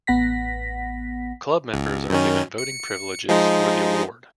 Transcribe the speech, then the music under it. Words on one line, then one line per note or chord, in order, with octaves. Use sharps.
Club members are given voting privileges for the award.
A1 B3 F#5 A#6 B6
C#2
F#2 D#3 C#4
C#7
F3 G#3 D#4